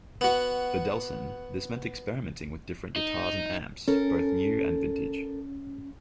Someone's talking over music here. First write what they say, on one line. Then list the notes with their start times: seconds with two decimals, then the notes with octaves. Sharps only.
For Delson, this meant experimenting with different guitars and amps, both new and vintage.
0.21 B3 F#4
2.96 D#4
3.88 C#4 A4 A#4